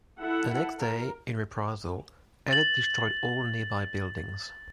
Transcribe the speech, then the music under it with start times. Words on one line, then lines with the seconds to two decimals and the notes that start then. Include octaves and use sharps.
The next day, in reprisal, Ellet destroyed all nearby buildings.
0.20 E4 A4 E5 F#5
0.79 A#4
2.51 A6 F#7